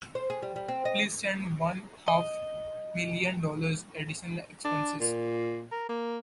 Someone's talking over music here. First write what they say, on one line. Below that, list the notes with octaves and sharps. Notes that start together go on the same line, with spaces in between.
Please send one-half million dollars additional expenses.
C5
G#4
G3
G3
C4
D#5
D#5
D4
A#2
A#4
A#3